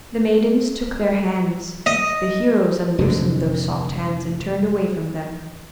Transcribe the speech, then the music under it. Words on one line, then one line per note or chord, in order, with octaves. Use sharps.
The maidens took their hands; the heroes unloosed those soft hands and turned away from them.
D#5
F1 G#2 D3